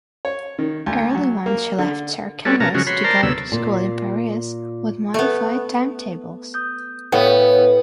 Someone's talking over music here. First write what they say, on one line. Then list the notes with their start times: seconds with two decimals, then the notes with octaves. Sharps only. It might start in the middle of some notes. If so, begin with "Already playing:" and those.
Early one she left Sarcelles to go to school in Paris with modified timetables.
0.25 C#5
0.59 D#3
0.86 D2
1.15 F#3
1.46 A#3
1.78 D3
2.45 G3 B3 C#4 F#4 A4 D5
2.60 B2 C#4 A#4 A5 A#5
2.74 C#3 F3 F#3 G#3 C#4 F#4
2.87 F#4 C#5 B5 C6
3.04 A#4 C5 D5 A5 A#5 C6
3.23 D2 C3 F#3 B3 E6
3.52 A#2
5.14 A3 B3
6.54 D#6 G6
7.12 A2 B3 C#5 F5 G5